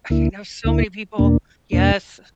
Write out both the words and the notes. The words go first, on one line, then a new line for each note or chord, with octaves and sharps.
okay I know so many people yes.
D2 D3 A#3 E4
D2 D3 A#3 E4
E2 B2 A#3 D4
E2 B2 A#3 D4